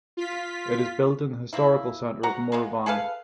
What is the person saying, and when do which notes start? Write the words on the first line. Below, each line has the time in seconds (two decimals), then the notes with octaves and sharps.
It is built in the historical center of Moravany.
0.17 F4 B6
1.53 F3 A#3 E4
2.23 F#4 F#5 A#5
2.52 G#3 A#3 B3
2.86 G#4 A4 B4 F5